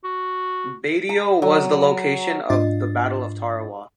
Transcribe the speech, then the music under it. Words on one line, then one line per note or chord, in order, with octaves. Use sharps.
Betio was the location of the Battle of Tarawa.
F#4
A#5
F#3
G#2 D4 F4 D#5 A6